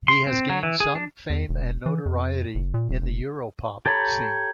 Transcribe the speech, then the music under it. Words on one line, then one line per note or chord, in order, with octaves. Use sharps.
He has gained some fame and notoriety in the Europop scene.
C6
C4
F#3
E3
G#4
D4
E2
E1
E3
F2
F#1
A#2
D#1
F1
G4 A4 C#5 A#5 B5